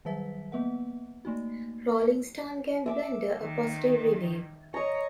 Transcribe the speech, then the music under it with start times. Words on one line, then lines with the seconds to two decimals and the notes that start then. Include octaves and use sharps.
"Rolling Stone" gave "Blender" a positive review.
0.05 D#3 F#3 G3 B4 E5 B6
0.52 A#3 B3 B4 F#5
1.25 A3 A#3 D#4 F#4
2.86 E5 D6 E6
3.39 D#3
4.74 C#5 D#5 A#5